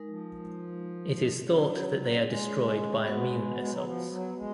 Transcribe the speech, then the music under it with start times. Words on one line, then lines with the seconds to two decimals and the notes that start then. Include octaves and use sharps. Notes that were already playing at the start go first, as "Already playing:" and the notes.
It is thought that they are destroyed by immune assaults.
Already playing: G#3 D#4 A#4
0.09 F3
1.47 F#3 C#4 G#4 C#5
2.26 G#3
3.05 B3 F#4 B4 F#5
3.58 G#3
3.71 F#3
3.84 F3
4.10 F#3
4.36 G#3